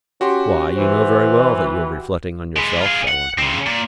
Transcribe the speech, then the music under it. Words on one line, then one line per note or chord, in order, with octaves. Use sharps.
"Why, you know very well that you are reflecting on yourself, Valentine."
C#4 F#4 G4 C6
E3 C5
G#3 B4
F4 G#4
F#5
C#3 C4
A#2